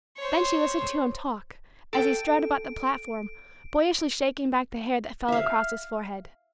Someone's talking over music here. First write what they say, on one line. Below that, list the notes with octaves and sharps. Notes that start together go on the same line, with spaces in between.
Then she listened to him talk, as he strode about the platform, boyishly shaking back the hair that fell across his forehead.
C5 C#5
A4 G5 D7
E5 F5